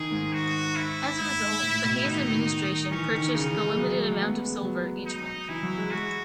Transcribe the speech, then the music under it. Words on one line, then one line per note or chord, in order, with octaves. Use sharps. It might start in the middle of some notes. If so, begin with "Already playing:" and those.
As a result, the Hayes administration purchased the limited amount of silver each month.
Already playing: D#3 G#4
G#2
F#4
E4
G#2
G#2
A2
B2
D#3 D#4
D#3
E3 C#4
D#3
C#3 D#4
E3
G#3
G#3
F#3
F#3
A3
B3
G#3
F#3
D#4
E3 E4
F#3
G#3
G#3 F#4